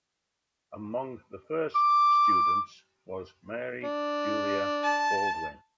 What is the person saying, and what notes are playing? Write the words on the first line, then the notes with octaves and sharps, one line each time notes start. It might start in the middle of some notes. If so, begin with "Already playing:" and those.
Among the first students was Mary Julia Baldwin.
D6
D4
A5